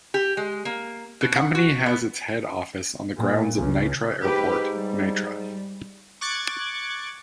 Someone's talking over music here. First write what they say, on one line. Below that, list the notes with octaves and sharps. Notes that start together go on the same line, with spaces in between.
The company has its head office on the grounds of Nitra Airport, Nitra.
G4
G#3
A#3
B2
F#5
F#4
B3
A#2
C#2
G#2 G4 B4
G3
C#6 D6 F#6 G#6 A6 C#7